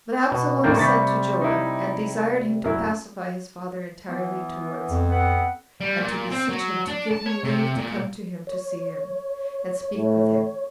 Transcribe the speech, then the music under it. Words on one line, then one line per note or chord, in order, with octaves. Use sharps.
But Absalom sent to Joab, and desired him to pacify his father entirely towards him; and to beseech him to give him leave to come to him to see him, and speak with him.
B2
G#1 A2 D#3 A#3 D4 G5
C3 G3 C#6 A6 B6
D#4 E4
F#2 E4
E3 B3
F2
B3 C4 F#5
G3
A#2
C4
F#3
D4
A5
C#5
C3
A#2
C#5
A2